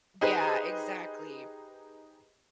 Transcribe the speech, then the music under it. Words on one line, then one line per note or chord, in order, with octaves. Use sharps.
Yeah, exactly.
D#4 G4 G#4 B4 C5